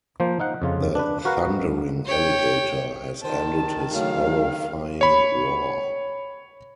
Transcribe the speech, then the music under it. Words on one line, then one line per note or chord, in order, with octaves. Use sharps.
The thundering alligator has ended his horrifying roar.
F3 A#3 C5
D#4 F5 F#5
F2 C#3 F4
D4 B4
F#4 A#4 B4 F5 F#5
C#5 G5
D#3 C5 G5 A5 D#6
A2 C#3 F#3 F5
C#5 B5